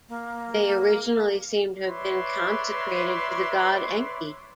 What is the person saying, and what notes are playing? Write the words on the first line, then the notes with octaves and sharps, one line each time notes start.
They originally seem to have been consecrated to the god Enki.
A#3
B4 C#5 D5 E5 C6